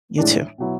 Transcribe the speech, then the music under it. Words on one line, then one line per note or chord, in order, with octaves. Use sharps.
You too.
A2 E3 G#3 D4
B2 F#3 B3 E4